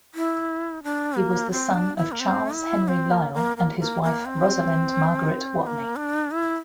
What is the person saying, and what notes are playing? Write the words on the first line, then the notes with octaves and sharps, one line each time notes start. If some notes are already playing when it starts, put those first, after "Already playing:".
He was the son of Charles Henry Lyell and his wife Rosalind Margaret Watney.
E4
D4
A#3
C4
D4
E4
A#3
C4
E4
C4
A#3
A#3
A#3
A#3
A#3
C4
C4
A#3
D4
E4